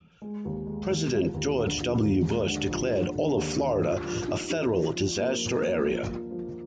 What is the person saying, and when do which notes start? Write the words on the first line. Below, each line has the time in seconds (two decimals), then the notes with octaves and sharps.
President George W. Bush declared all of Florida a federal disaster area.
0.22 G#3
0.45 D#2
0.67 G#3
0.89 D#2
1.12 F3
1.34 D#2
1.57 D3
1.80 F3
2.02 D#2
2.25 G#3
2.47 D3
2.69 F3
2.92 D3
3.16 D3
3.37 D#2
3.60 D3
3.82 F3
4.06 F3
4.28 D#4
4.50 D#4
4.73 F3
4.95 F3
5.17 A#3
5.41 F3
5.63 A#3
5.86 F3
6.08 F3
6.31 F3